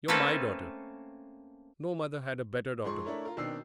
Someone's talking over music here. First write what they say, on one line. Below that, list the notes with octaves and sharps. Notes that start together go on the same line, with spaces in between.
You're my daughter; no mother had a better daughter.
A3 A#3 C4 C#4 A4 B4
G#2 F3 G#4 C6 C#6
A3 D4 E4 A#4 C#5
F4 A#4
B2 D#3 C4 D4 E6 C7